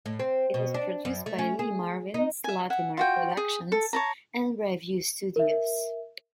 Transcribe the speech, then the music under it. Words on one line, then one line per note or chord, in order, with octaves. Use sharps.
It was produced by Lee Marvin's Latimer Productions and Revue Studios.
A2
C4
B2
D4
F#2
A3
C#4
G#4
D#4
E5 G#5
E5 F#5 G#5
F4 F#4 G5
G#4
A4
C#5 A5 A#5
A#4 E5